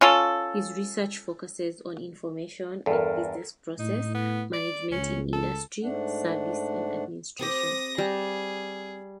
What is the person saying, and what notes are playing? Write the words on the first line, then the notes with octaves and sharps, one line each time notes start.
His research focuses on information and business process management in industry, services and administration.
C#4 F4 A4
E2 G2 A4 A#4
A2 D#4
B3
D5
C#2 C#4
A4
G#2 A3 D4 F#5
C4 G4 D#6 A#6
G3 G#4